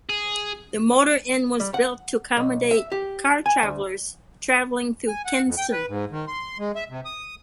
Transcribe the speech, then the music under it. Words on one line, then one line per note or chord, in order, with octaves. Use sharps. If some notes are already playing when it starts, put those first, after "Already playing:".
The motor inn was built to accommodate car travelers traveling through Kinston.
G#4
G3
F#5
B1
E5
G4
G#5
D2
G#5
F#5
F2
G5
B4
G#2
D#3
C6
G#3
E5
C3
D#6